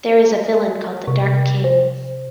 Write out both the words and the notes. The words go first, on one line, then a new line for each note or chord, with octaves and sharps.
There is a villain called the Dark King.
C3
C5